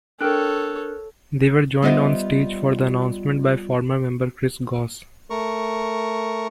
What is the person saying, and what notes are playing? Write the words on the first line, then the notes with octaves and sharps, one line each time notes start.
They were joined on stage for the announcement by former member Chris Goss.
D4 A4 A#4 C#5 G5 F6 F#6
G3 B3 F4 C5 D#5 E5
A3 A#4 C#6